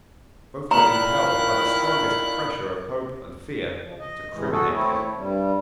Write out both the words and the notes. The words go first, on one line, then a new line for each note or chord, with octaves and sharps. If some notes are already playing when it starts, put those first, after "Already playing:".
Both were impelled by the strongest pressure of hope end fear to criminate him.
A#2 D#3 E4 F5 A#5 F#6
C#3 F3
D#5
A2 C3 E3 G#3
F#4 G#4 A4
A3 C4 E4 C#5
G2 G3